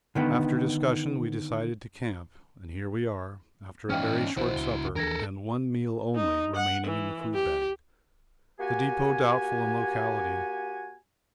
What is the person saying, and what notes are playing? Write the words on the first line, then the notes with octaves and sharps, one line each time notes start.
After discussion we decided to camp, and here we are, after a very short supper and one meal only remaining in the food bag; the depot doubtful in locality.
D3 D#3 B3
G#2 E3 C#4 D#4 F5 G5 F6
A#1 D#3 E4 F#4 C5
C#2 G7
D#2 E3 F3 D4 A4 A#4 G#6 A#6
D#4
F#5
E3
G4
A#3 F#4 G4 G#5